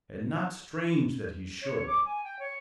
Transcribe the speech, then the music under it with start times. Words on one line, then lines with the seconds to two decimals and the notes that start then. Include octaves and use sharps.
And not strange that he should.
1.62 C#5
1.75 C#5
1.87 D6
2.05 G#5
2.24 G5
2.39 C#5